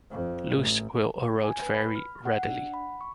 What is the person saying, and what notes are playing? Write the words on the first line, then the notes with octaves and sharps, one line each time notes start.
Loess will erode very readily.
F2
A1
G#5
B4
B5
F6
F#5
D4
F#5
B5
C#6